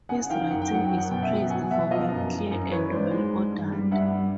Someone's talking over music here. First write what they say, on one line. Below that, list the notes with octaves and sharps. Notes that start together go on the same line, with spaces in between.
His writing is praised for being clear and well ordered.
C#3 F#5 G#5
D#3 F5 G5
F#2 F#5
G5
F#3 F#5
F#2 G5
F#5
B2 G5
E5 F#5
F#3
F#3 F#5 G#5
B2 E5 F#5
F3 D#5 F5
F#2
F#2
F#2
E3 B4 C#5
G#2 C5 D5
G#3
G#2
G2
G3
G2 E5 F#5
G3